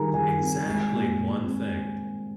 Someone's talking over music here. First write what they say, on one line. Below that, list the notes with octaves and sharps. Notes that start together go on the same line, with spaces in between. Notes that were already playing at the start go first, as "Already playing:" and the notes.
Exactly! One thing.
Already playing: D#3 G3 G#4 A#4 G#5 A#5
D#3 G#4 G#5
C4
G#3
A#2
A#2
C4